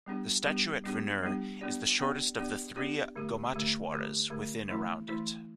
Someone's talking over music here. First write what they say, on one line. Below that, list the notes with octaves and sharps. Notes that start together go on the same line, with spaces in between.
The staue at Venur is the shortest of the three Gommateshwaras within around it.
G3 B3 D4 G4
G3 B3 D4 G4
G3 B3 D4 G4
G3 B3 D4 G4
B3 D4 G4 D5
B3 D4 G4 D5
B3 D4 G4 D5
B3 D4 G4 D5
D3 A3 G4
D3 A3 G4
D3 A3 G4
D3 A3 G4
E3 A3 E4
E3 A3 E4